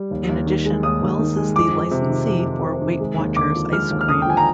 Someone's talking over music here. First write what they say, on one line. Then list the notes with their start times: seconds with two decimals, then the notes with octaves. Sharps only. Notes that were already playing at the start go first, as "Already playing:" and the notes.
In addition, Wells is the licensee for Weight Watchers Ice Cream.
Already playing: G3
0.11 D#2
0.29 D#2
0.46 D#3
0.66 G#3
0.83 D#2 D#6
1.02 D#2
1.19 D#3
1.37 G#3
1.56 F2 D6
1.73 F2
1.91 C3
2.09 D#3
2.27 F2
2.46 F2
2.64 C3
2.82 D#3
3.00 G#3
3.18 D#2
3.36 D3 D6
3.55 F3
3.73 G#3 F6
3.91 D#2
4.01 F6
4.09 D3 D#6
4.22 G5
4.26 F3 G#5
4.37 A#5